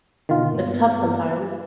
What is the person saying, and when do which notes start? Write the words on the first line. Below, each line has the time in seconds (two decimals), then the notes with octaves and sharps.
It's tough sometimes.
0.29 B2 D3 D#3 F4
0.52 G2 A#3 B3